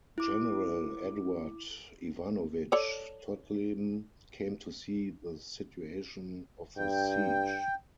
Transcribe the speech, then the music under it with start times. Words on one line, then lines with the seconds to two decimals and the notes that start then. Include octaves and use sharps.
General Eduard Ivanovich Todleben came to see the situation of the siege.
0.18 E4 D6
2.72 A4 C#5 D5
6.77 G2 G5